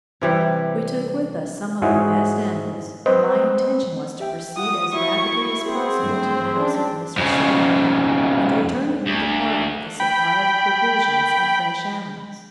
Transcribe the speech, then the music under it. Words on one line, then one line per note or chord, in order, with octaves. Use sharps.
We took with us some of the best animals, and my intention was to proceed as rapidly as possible to the house of Mr. Sutter, and return to meet the party with a supply of provisions and fresh animals.
C3 E3 G3
G#2 G#3 E4 F#4 G#4 C#5
C4 B4 C5 D#5
G4 E5 G5
F4 F#5 D#6
E4 F#4 C#6
C4 G#4 C5
G2 F#3 A3
C#4 D4 G5
F2 C#3
D2
G5 B5